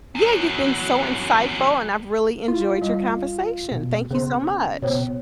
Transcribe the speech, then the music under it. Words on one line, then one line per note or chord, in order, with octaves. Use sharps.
Yeah, you've been so insightful, and I've really enjoyed your conversation. Thank you so much.
E2 F#3
E4 F4
G3 D#5
B2
C#3 B3 C5 C6
B2 B3 C5 C#5